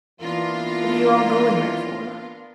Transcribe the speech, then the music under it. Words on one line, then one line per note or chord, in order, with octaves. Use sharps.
"What are you all going there for?"
E3 A#3 B3 D4 F4 A#4